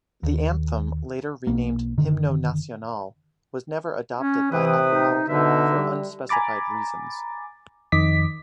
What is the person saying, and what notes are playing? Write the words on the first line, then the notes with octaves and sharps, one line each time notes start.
The anthem, later renamed "Himno Nacional", was never adopted by Aguinaldo for unspecified reasons.
D#2
B1 A#3
F#1 D3 D#3
C#4
C3 E3 B4 G5 D#6
D#4
B2 D3 D#4 E5
G3
G#5 A#5 B5 D6 A6
F2 D#3 D#5 D6 B6